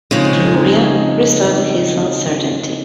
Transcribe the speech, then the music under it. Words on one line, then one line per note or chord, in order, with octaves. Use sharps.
Gloria resolved his uncertainty.
C#3 F3 G#3 C4 D#4
C4 D#4